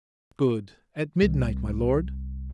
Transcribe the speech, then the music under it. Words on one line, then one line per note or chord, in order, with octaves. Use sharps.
"Good! at midnight, my lord."
C2